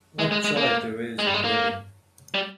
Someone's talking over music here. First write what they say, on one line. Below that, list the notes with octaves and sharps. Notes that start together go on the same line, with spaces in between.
What joy there is in living.
G#3
G#3
G#3
A#3
G#3
G3
G#3
A#3
G3